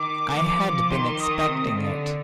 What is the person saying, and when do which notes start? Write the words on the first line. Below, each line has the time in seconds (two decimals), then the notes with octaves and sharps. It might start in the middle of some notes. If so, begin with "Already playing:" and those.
I had been expecting it.
Already playing: D#3 D6
0.34 F3
0.90 D#3 C6
1.20 D#6
1.48 C3
1.77 D3